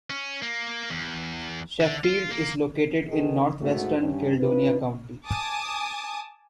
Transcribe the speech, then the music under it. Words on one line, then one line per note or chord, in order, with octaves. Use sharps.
Sheffield is located in northwestern Caledonia County.
C#4
A#3
E2
D3
F4
A#3
B2 D#3 B3 G#4 A4 D#5
G#2 A3 F#4
G2 C#4
D4 D#4 F4 B4
G#5 A5 D6 D#6